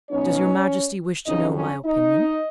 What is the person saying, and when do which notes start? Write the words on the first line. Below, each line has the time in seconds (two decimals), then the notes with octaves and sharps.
"Does your majesty wish to know my opinion?"
0.11 B2 F#3 B3 C#4 D#4 C#5
1.27 F2 C#3 F#3 C#4 D#4 D#5
1.56 C#4 C#5
1.85 D#4 D#5